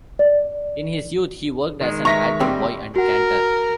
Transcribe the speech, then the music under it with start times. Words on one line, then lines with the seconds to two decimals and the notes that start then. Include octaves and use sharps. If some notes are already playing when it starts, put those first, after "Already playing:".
In his youth he worked as an altar boy and cantor.
0.19 D5
1.81 D#3 G#3
2.05 B4 D#5 E5 A#5 C#6 A#6 B6
2.40 D2 G3 C4 G5 B5 E6
2.96 F#4 A#4 F#5